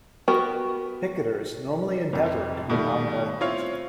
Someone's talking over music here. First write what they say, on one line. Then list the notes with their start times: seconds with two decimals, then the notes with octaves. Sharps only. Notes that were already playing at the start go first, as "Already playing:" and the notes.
Picketers normally endeavor to be non-violent.
0.28 B3 F#4 G4 A#4
2.13 F1 F2
2.70 B2 D#3 G3 A3
3.40 C4 E4 F4 C#5 F5